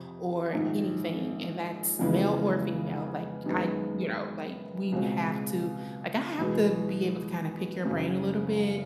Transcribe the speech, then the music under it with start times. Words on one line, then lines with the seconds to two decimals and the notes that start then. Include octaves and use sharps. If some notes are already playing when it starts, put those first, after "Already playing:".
or anything, and that's male or female, like, I you know, like, we have to like, I have to be able to kinda pick your brain a little bit,
Already playing: F2 C3
0.53 A#1 G#2 D#3
1.99 F2 C#3 E3 G#3 B3
3.46 F#2 D#3 G#3 B3
4.92 C#2 B2 G#3 C4
6.39 E2 B2 G#3 B3
7.85 F#1 F#2 C#3